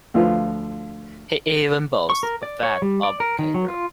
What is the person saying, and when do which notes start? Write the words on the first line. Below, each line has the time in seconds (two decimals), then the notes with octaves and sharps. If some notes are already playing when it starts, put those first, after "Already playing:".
He even bowls a fast off cutter.
0.14 D2 F3 F4 B4 F5
2.10 C#6
2.23 A#4
2.43 D5
2.63 C#5
2.82 G3
3.03 D5
3.20 A#4
3.39 D#3
3.54 F#3
3.68 F4